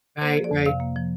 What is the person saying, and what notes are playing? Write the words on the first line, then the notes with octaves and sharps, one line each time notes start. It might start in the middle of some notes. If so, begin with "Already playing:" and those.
Right, right.
A#3 C5
F3
D5
F2
C3 F5
A#3
F3